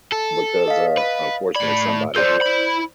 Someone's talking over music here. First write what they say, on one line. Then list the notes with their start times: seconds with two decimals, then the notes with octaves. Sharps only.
because, uh, unfortunately somebody
0.12 A4
0.68 D#5 F5
0.98 B4
1.56 A2 D5 B5
2.16 F4 A4 C5 D5 G6
2.42 E4 B5